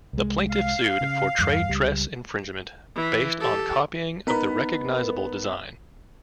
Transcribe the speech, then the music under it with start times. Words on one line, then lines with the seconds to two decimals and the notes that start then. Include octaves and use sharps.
The plaintiff sued for trade dress infringement based on copying of the recognizable design.
0.13 C2 G#3
0.50 F5
1.01 C#3
1.38 E2 G2
1.69 C#2 G3
2.95 E3
3.40 G4 A4
4.27 B3 D#4 A#4 B4 B6